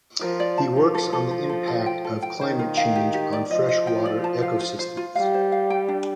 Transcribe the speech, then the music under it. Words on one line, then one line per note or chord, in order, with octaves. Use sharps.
He works on the impact of climate change on freshwater ecosystems.
F3 A#4
D5
A5
F3 A4
A4
A4
A4
A4
A4
G5
A4
G5
D#3 C5
F4
F5
G4
G4
D5
F3 D#5
D#5
G5
D5
A5
F5
F4
C5
F4
G3 F5
C5
F5
G5
D4